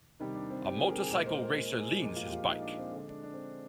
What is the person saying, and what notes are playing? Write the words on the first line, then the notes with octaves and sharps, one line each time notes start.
A motorcycle racer leans his bike.
C3 D#3 G3 D#4
D4
C4
G4
G#4
A#4
G#4
A#2 G#3 A#4
C5
A#4
A#4
G#4
A#2 F3 G#3
F4
G4
F4
D#4
D4
C4
D3 G#3 D4
D4
D4
C4